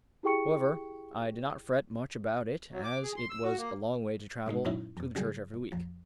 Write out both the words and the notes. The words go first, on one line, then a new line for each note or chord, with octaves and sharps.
However I did not fret much about it as it was a long way to travel to the church every week.
E4 G4 G#4 G5 C#6 C#7
F#3
D6
G#4
C6
E6
F#4
A#3
G#2 C3 G#3 D#4
F#2 A#2 F#3 C#4 D#4 E4
F2 B2
C#3 F#3 G3 G#4
G1
A1 F2 F3